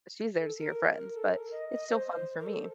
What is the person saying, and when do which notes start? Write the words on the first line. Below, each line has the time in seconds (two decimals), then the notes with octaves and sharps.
she's there to see her friends, but it's still fun for me.
0.39 A4
0.58 A#4
0.95 A#4
1.15 A4
1.33 A#4
1.51 D#5
1.71 D#5
1.89 C5
2.08 C5
2.39 A#4
2.46 A4